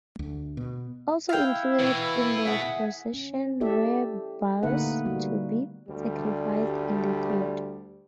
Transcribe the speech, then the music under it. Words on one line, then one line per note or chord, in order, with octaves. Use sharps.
Also included in the procession were bulls to be sacrificed in the theatre.
D2
B2
E4 F5 G5
B2 E3
G#4 E5 F#5
C#4
E4 G4 A4 D5 E5
D3 A3 A#3 D#4 B4 F#5
G3 B3 F#4
D2 G3